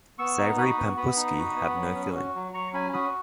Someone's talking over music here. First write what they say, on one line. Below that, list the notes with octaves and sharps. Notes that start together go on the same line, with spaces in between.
Savoury pampusky have no filling.
B3 C#6 E6
D#4
F#4 B5 D#6
B3
B3 B5 D#6
D#4
F#4
B3
F#3
C#4
F#4
F#3
F#3 A#5 C#6
C#4 G#5 B5
F#4 B5 D#6